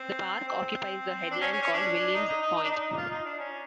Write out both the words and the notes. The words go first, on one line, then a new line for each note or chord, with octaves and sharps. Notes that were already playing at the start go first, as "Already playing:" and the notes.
The park occupies a headland called Williams Point.
Already playing: C4
C4
D4
C#4
C#4
C#4
D4
D#4
D#4
D#4
D#4
D4
D#4
F4
D#4
D4
C#4